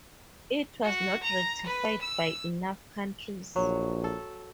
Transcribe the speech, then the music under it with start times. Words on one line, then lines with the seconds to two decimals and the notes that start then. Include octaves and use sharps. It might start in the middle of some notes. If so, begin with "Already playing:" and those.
It was not ratified by enough countries.
0.83 F#4
1.23 A#5
1.66 B4
2.02 E6
3.56 A#1 F#3
4.04 A4